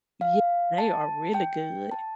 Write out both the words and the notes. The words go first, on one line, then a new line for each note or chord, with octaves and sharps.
Yeah, they are really good.
F5
A5
G5
A5